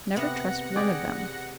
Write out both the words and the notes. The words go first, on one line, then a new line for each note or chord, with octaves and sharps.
Never trust one of them.
C3 B3 F#5 A#6 C#7
G4 G#4 D5